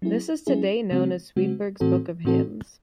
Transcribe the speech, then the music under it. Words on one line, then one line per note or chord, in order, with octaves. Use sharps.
This is today known as Swedberg's Book of Hymns.
F#3 C#4 E4 G#4
F#3 C#4 E4 G#4
C#3 G#3 C4 F#4
C#3 G#3 C4 F#4
A2 E3 C4 F#4 A4
A2 E3 C4 F#4 A4